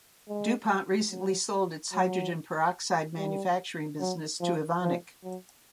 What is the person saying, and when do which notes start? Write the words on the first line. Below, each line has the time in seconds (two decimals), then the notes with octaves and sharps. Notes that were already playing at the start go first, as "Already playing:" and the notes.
DuPont recently sold its hydrogen peroxide manufacturing business to Evonik.
0.29 G#3
1.11 F#3
1.93 F#3
3.18 G3
4.00 F#3
4.41 F3
4.83 F3
5.24 F#3